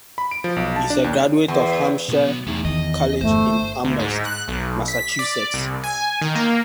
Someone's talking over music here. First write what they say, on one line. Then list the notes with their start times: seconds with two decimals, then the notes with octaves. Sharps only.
He is a graduate of Hampshire College in Amherst, Massachusetts.
0.18 B5
0.31 D7
0.44 F3
0.56 B1
0.76 A5
0.90 D4
1.04 D#2
1.48 E2
2.09 B1 B3
2.47 E2 A3 D#4
2.65 D#3 D#5
3.21 G1 A3 C5
3.84 D2
3.99 G#2
4.25 F#6
4.48 B1
4.88 B6
5.19 D5
5.54 C2
5.84 G#5
6.21 D#3
6.35 A#3